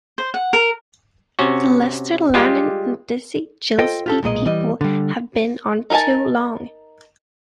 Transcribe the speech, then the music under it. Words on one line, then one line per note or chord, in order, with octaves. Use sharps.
The Lester Lanin and Dizzy Gillespie people have been on too long.
C5
F#5
A#4
C3 C#4 F#4
G3 G#3 F4 G4
F4 A4 C5 D#5 G5
F4 G4 A4
B1 A#2 G#3 D#5
E3 G3 D#5
D3 G3
D#4 A#4 D#5 G#5 A5